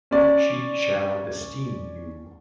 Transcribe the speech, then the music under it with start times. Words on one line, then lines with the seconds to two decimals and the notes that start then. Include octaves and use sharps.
She shall esteem you.
0.11 C#4 D5